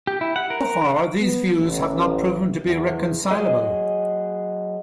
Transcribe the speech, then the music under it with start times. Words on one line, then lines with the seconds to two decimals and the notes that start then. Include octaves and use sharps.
So far, these views have not proven to be reconcilable.
0.07 G4
0.21 E4
0.36 F#5
0.50 A#4
1.20 B3
1.56 A1
2.66 E2
3.31 F#3 G#4 D#5